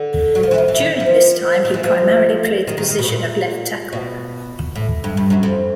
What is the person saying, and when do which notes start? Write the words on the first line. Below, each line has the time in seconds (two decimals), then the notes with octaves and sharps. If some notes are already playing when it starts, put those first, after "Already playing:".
During this time, he primarily played the position of left tackle.
Already playing: D3
0.35 F#3
0.43 F3
0.51 E3
0.58 D#3
0.68 E3
0.79 D#3
1.00 F3
1.65 D#3
1.74 E3
1.83 F3
2.67 D#3
2.78 D#3
2.88 D#3
2.99 B2
3.08 A#2
3.93 B2
4.75 A2
5.04 G2
5.17 G2
5.30 F#2
5.43 F2